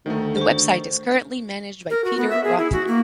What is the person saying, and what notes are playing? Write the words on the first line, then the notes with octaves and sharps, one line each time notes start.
The website is currently managed by Peter Rothman.
D2 D#3 A3
C5 C#6
A#4
F#4
B3
E5
G#4
E4
F#4
A#3